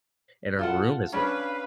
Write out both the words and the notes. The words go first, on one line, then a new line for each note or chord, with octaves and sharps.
and her room is a
F4 A4 F#5
C#4 D4 B4 F5